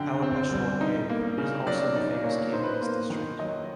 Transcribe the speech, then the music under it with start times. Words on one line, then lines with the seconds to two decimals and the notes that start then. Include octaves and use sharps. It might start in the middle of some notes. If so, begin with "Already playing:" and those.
Alapeshwar cave is also the famous cave of this district.
Already playing: F#2 D3 G5 G#5
0.22 C4
0.52 G3
0.81 D#4
1.09 A#3
1.38 C#3
1.67 F#3 D5
1.96 D#4 D5
2.24 A#3 C#5
2.52 D#4 C5
2.63 B4
2.73 C5
2.82 A#3
3.10 D#3
3.39 F#3 D#5